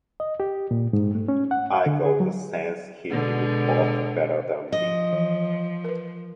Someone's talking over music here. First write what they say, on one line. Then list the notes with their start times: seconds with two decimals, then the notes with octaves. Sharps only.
I got the sense he knew "both" better than me.
0.20 D#5
0.40 G4
0.71 A#2
0.93 G#2
1.15 A3
1.28 C#4
1.51 F#5
1.73 F5
1.86 D3
2.05 G#4
2.20 F#3
3.10 B2 D3 G#3
4.72 F3 D#5
5.13 E3
5.84 A#4 B4